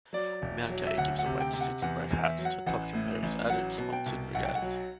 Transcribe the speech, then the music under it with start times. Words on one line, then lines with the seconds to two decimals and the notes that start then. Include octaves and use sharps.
Mount Gay gives away distinctive red hats to top competitors at its sponsored regattas.
0.13 F#3 D5
0.42 E1
0.70 F#3
0.87 E5
0.97 D2 F#5
1.19 F#5
1.26 C3
1.40 G5
1.53 C3
1.61 F#5
1.82 E2 F#5
2.11 E2
2.24 E5
2.39 F#3
2.45 F#5
2.66 A1 F#5
2.94 A2
3.23 A1
3.50 F#3 F#5
3.78 B2
3.93 G5
4.06 C2
4.35 B1 F#5
4.45 G5
4.55 F#5
4.62 F#3